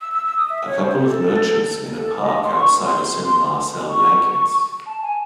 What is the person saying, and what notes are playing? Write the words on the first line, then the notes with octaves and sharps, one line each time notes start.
A couple of merchants in a park outside a cinema sell blankets.
E6
E6
E6
D#6
E5
C#5
C5
A4
A4
D#5
C6
C#6
C6
C#6
A5
G#5